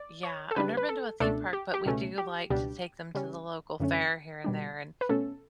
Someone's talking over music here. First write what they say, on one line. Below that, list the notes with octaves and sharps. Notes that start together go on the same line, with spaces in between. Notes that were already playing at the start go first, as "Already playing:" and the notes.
Yeah, I've never been to a theme park, but we do like to take them to the local fair, here and there, and,
Already playing: D5
C#5
A4
C#3 G3 D4 B4
B4
A4
C#2 B2 A3 D4 A4
G4
G4
C#2 B2 A3 C#4
G4
C#2 B2 G3 D4 G4
C#3 G3 C#4
F#2 D3 A3 C#4
B2 G3 D4
B4
B2 A3 C#4 A4